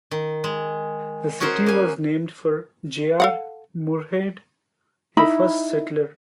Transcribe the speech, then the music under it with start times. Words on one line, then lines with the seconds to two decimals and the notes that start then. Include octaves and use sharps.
The city was named for J. R. Moorhead, a first settler.
0.11 D#3
0.44 G#3
1.40 C#4 F#4 G#4 A#4 C5
1.66 A#3 G#5
3.20 A4 F5 F#5
5.17 D#4 E4 B5